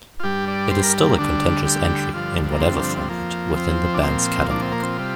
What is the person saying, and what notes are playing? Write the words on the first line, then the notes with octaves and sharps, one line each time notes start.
It is still a contentious entry, in whatever format, within the band's catalogue.
F4
G2 G3 G4
D5
C5
A#4
A#3
D2 D3 G3 D4
G4
G2 D3 F3 F4
A#3
C4
C4
F2 F3 A#3
C4
D4
A#2 F3 C4
D4
C4
A#3
C4
C3 G3 F4